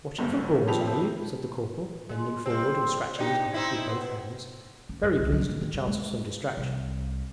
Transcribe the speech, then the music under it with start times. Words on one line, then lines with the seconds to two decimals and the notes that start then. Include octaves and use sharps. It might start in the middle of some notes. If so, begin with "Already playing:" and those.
'Watching for boars, are you?' said the corporal, bending forward and scratching his back with both hands, very pleased at the chance of some distraction.
0.18 F#1 D2 G2 C3
0.67 F2 C3 F3 G4 B5 F7
2.09 G#3
2.46 G3 C4
3.18 D4 D#4 G4
3.54 C4 D#4 E4
3.89 B3
4.89 C#4
5.03 G2
5.19 C2
5.32 F#3
5.49 D#3
5.61 C4
5.74 G2
5.87 G#3
6.57 C2